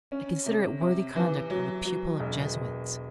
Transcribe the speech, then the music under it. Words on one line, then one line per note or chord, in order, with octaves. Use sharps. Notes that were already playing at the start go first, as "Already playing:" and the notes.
"I consider it worthy conduct of a pupil of Jesuits."
C#4
C3
C3
E3
F#3
F#3
E1